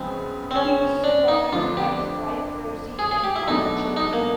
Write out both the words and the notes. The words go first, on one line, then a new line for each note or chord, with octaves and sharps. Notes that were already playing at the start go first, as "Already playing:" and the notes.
He was survived by his wife Rosie and five children.
Already playing: F#2 C#3 F3 G#3 B3 C4
C4
C#4
D4
D#4
F2 D3 F3 A3 D4 F4
G4
G#4
G#4
G4
E4
B2 F#3 A3 D4 D#4
D#4
A#3